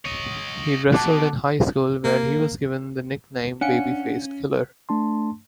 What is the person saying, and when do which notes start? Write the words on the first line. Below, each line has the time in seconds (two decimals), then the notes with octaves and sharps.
He wrestled in high school, where he was given the nickname "Baby-Faced Killer".
0.05 C#5 D#5
0.92 B2 A5 D6 F#6
2.04 A#3
3.61 C#4 D4 F5 F#5 G#5 C#7
4.89 A3 D4 A5 C6